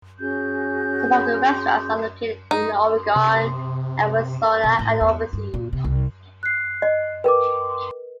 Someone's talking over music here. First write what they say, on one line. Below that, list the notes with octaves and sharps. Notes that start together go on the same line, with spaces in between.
Some of the restaurants are located in Oregon, Arizona, and overseas.
C#4 F#4 G#4 G6
D#4
C3
B2
A2
E2
G2
A#2
C3
C2
F#6 C7
D#5
A#4 B4 G5 D6